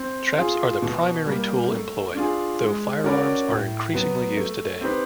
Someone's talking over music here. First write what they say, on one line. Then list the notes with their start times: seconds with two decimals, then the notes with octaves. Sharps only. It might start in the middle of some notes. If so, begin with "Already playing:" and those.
Traps are the primary tool employed, though firearms are increasingly used today.
Already playing: C4
0.37 F4 G#4
0.82 B2
1.26 G3 A#3
1.71 A3
2.15 D4 F4 G#4
2.60 G#3
3.04 C#4 F#4 A#4 D5
3.48 A2
3.94 F#3 B3
4.37 A3
4.81 C4 D#4 G4 B4